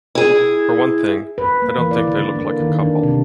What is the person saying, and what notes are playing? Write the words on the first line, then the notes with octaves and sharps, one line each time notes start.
For one thing, I don't think they look like a couple.
E4 G#4
B4
A#3
E3
D5
D3
A#3
D#3
D4
C3